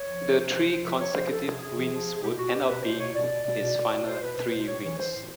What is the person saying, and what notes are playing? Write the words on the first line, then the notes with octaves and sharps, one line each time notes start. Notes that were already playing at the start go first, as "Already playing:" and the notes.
The three consecutive wins would end up being his final three wins.
Already playing: C#5
F3
C3
C3 C5
F3
F3 C5
C3 B4
C3 C#5
F3 C5
F3 A4
C3 G#4
C3 G#4
F3
F3
C3
G#4
B2 G4
B2 F#4
B2 G4
B2 B4
B2 C5
B2 C#5
B2 D5
B2
B2 D5
B2
B2
B2
B2 C5
B2 B4
B2 B4
B2 C5
A2 C#5
E3 C#5
E3 C5
A2